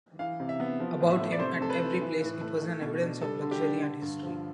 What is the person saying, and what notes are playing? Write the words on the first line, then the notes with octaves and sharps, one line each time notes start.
About him, at every place,it was an evidence of luxury and history.
E3 F5
C3
E5
B3
F3
A2
E5
A3
D5
C3 C5
F2 A4
B4
E3
E3
A2
A3
A3
B2
D4
G3 A4
D3
G4
D4
D3
G2
F3